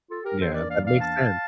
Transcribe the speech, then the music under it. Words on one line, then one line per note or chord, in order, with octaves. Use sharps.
Yeah. That makes sense.
F4 A4
G4 A#4
E2 E3 A#3 D4 A4 C5
A#4 D5
D5 F5
D5 F5
F5 A5